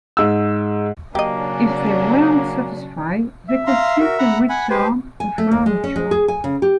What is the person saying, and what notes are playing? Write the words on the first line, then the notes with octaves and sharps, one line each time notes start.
If they weren't satisfied, they could simply return the furniture.
G#2 E6
C#3 F#3 A#3 C#4 D4 G4 D#5
E5
F5 A#5 C6
F#4 A#4
F#5 A#5 B5
F#5 G#5 B5
G4 B4 C5
G#5
A3
D#2
G#3
C#4
G#3
G#4
G#5
C#3
G4